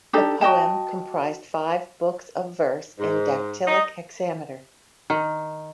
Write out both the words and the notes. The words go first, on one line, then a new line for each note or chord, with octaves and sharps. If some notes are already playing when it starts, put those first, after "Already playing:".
The poem comprised five books of verse in dactylic hexameter.
D4 D#4 G4 A4
F#4 D#5 G5 A5
G#2
D#4
D#3